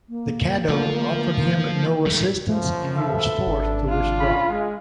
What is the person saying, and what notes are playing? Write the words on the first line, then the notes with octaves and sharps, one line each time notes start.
The Caddo offered him no assistance, and he was forced to withdraw.
A#3
D3 F3 F#3 A3 F4
D#3 F#3 A3
F#2 F3
A4 B4 E5
G#1 D4
F4
C#4 B5
G#3